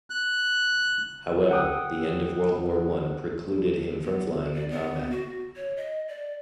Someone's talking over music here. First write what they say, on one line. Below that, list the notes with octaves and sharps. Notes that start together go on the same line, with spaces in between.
However, the end of World War One precluded him from flying in combat.
F#6
F#5 G5 D#6 E6
B3
D5
B3
F#4
C#5
D#5
D5